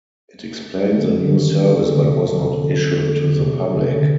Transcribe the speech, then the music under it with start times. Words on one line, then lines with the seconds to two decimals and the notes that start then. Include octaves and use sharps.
It explained the new service but was not issued to the public.
0.94 D3
1.29 D#3
1.63 D3
1.97 C3
2.31 D3
3.34 C3
3.68 D3